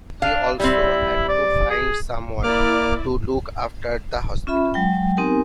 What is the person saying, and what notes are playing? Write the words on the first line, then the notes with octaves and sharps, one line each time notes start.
He also had to find someone to look after the Hospital.
D4 F5
G3 C4 E4
D5
G#4
A#3 E4 D5 D6 F6
C#4 F4 E5 B5
F#3 G#3 G5
B3 C4 D#4 G4 A#4 G#5